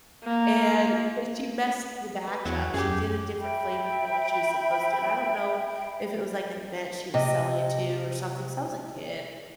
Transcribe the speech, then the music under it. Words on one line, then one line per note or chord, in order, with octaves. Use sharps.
And, so she messed the batch up, she did a different flavor than what she was supposed to. And I don't know if it was like an event she was selling it to or something. So I was a kid
A#3
B4
E2 F#3
F#2 G4 G#4
E5 G5 B5
C3 D#5